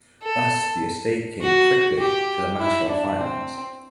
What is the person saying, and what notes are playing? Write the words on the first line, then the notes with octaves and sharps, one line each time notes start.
Thus the estates came quickly to the matter of finance.
A4
F#4
G4
E4
D4
C4